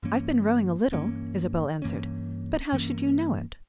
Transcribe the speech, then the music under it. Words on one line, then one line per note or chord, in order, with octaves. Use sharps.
"I've been rowing a little," Isabel answered; "but how should you know it?"
G2 E3 A#3 C#4
G2 E3 A#3 C#4
G2 E3 A#3 C#4
G2 E3 A#3 C#4